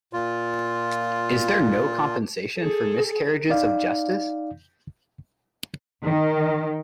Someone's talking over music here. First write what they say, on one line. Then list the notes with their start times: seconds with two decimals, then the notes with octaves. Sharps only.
Is there no compensation for miscarriages of justice?
0.13 A#2 F4
2.58 G#4 A4
3.50 D#4 D5 F5
6.04 D#3